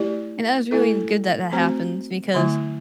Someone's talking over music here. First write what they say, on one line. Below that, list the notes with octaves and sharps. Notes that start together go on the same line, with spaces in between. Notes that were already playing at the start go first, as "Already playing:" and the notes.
And that was really good that, that happens because
Already playing: A3 E4 G4 D5
A3 E4 A4
A3 C4 F#4 C5
D3 F#3 A3 E4